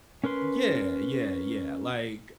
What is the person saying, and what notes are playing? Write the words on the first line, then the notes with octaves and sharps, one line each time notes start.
Yeah, yeah, yeah. Like,
C#4 A#4 B4 C6